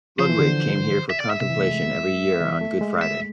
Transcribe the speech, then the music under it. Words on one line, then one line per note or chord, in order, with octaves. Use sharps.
Ludwig came here for contemplation every year on Good Friday.
F3 C5
E3
D3
E5
D5
E5
C3 E5
E3
A3
G#3
E3
A3
G#3
E5